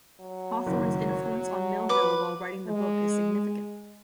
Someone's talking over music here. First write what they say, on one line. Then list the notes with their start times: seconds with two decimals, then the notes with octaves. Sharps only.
Hawthorne's influence on Melville while writing the book is significant.
0.20 F#3
0.67 F#1 D#3
1.09 C#5
1.89 B4 D6
2.67 G#3